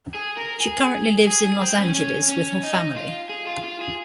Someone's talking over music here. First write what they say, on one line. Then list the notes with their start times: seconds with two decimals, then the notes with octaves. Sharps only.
She currently lives in Los Angeles with her family.
0.14 G#4
0.37 A#4
0.60 G#4
1.27 G#4
1.44 G#4
1.61 C4
1.78 C#4
1.94 C#4
2.29 C#4
2.63 D#4
2.96 F4
3.30 G#4
3.47 F4
3.64 F4
3.81 G#4